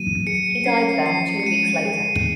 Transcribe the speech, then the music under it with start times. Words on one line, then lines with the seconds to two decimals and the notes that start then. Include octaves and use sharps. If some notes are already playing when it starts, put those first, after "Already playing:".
He died there two weeks later.
Already playing: D#3 F#3 A#3 D#7
0.27 G#4 C#7
0.66 C#4 C7
1.06 F3 C7
1.40 C#7
1.46 G#3 D#7
1.86 G#4